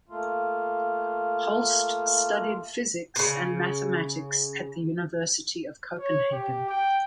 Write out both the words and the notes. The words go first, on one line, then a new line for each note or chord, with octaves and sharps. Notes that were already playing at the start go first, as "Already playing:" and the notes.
Holst studied physics and mathematics at the University of Copenhagen.
A3 A#3 F4
A#2 C#3
C#5
G4
G5